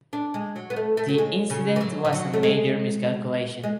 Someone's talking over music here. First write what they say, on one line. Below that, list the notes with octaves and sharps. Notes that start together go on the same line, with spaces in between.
The incident was a major miscalculation.
D4
G#3
F#3
B3
A3
A3
F#3
G#3
C#3
E3
F#3
E3
F#3
A3
G#3
G#3